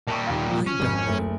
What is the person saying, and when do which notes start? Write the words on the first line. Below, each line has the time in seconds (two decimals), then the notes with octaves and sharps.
I don't know.
0.07 A#2 G3 A5 C#6
0.27 D#2 F5
0.49 F3
0.67 C#4
0.80 G#1 F2
1.07 F#1 A3